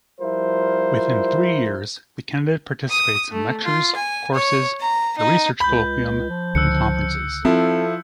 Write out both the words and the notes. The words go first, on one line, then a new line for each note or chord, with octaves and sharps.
Within three years, the candidate participates in lectures, courses, a research colloquium and conferences.
F3 G3 E4 F4 A#4 C5
D#6
A3
F4
G#5
C#5
A#5
D#4
C#2 B5 G6 G7
F3
C#2 D3 E6 F#6 C#7
F3 C4 E4 A4